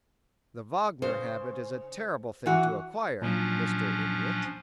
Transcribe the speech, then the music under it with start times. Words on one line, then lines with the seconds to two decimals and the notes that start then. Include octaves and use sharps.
"The Wagner habit is a terrible thing to acquire, Mr. Idiot."
1.02 C#3 C5
2.46 E3 F#4
3.22 A#2 F3 F#3 C#4 D4